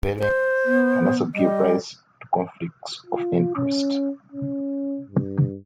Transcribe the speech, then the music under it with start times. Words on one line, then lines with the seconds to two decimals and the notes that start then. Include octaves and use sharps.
Vereins can also give rise to conflicts of interest.
0.20 C5
0.65 B3
1.35 G3 D#5
3.06 F4
3.56 C#4
4.32 C#4
5.08 G2